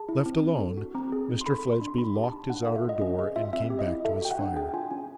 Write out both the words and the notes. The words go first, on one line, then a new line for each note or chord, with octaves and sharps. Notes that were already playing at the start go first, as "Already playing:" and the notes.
Left alone, Mr Fledgeby locked his outer door, and came back to his fire.
Already playing: G#4 A5
E4
C4
D4
A4
F#4
C4 A#5
G#4
D#4
C6
A4 B5
F#4
C6
D4
C6
B3 B5
G4
A5
D#4
D4 F#5
A4 F5
E5
F4 D#5
C#4 D#5
G#4 D#5
F4 E5
C4 E5
G4
D#5
E4
A4 E5
F#4 G5
F#5
D4
G#4 G5
F4 G#5
C#4 G#5